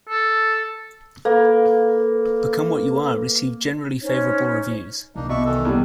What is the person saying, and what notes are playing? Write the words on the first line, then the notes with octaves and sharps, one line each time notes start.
"Become What You Are" received generally favorable reviews.
A4
A#3 A4 B4
C#4 D#4 C5 C#5
C2 A#3 D4 D#4
B2 D5 E5 C#6
D#3 E3 A4
E2 G3